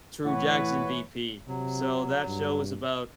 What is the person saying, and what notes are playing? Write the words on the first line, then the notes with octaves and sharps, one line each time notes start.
True Jackson, VP, so that show is about
A2 E3 B4 C#5 F#5
C3 F#3
G2